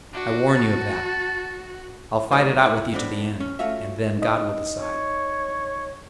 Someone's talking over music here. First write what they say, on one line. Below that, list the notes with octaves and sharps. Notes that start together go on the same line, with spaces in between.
I warn you of that. I'll fight it out with you to the end, and then God will decide.
D4 F#4
A5
C2 F2 A2 G3 D#4 C5
E4 F#5
F2 A2 B3 C4 D4
C#4
A3 C#4 F4 F#4 E5
D#4 D#5
C#5